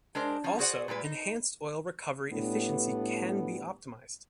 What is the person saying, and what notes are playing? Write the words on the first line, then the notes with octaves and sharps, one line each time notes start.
Also enhanced oil recovery efficiency can be optimized.
G#3 D4 A#4 C5
F3 C#4
F#4 G#4 C5 D5 F5 F#5
A#2 G3 G#3 B4
D#4
A2 G3 B3 D4